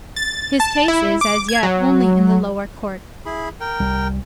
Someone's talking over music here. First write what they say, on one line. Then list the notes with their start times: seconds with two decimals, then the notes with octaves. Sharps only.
His case is, as yet, only in the lower court.
0.16 A6
0.60 A5
0.88 E4
1.21 D6
1.49 G#6
1.63 F#3
3.26 E4 G#4 B5
3.60 A#4 G5
3.80 C2 G3